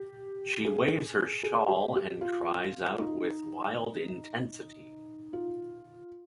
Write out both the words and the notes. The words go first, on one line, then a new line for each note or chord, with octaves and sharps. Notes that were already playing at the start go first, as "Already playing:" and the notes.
She waves her shawl and cries out with wild intensity.
Already playing: G4
G#4
G#4
G4
G4
F4
D#4
F4